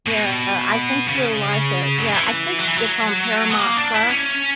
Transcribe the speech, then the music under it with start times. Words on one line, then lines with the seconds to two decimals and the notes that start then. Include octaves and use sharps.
Yeah, I think you'll like it. Yeah, I think it's on Paramount+.
0.06 B2
1.08 C#3
1.98 F#3
2.08 E3
2.59 F#3
2.68 E3
2.77 F#3
3.50 B3
3.60 A#3
3.77 D4
3.94 E4
4.10 C#4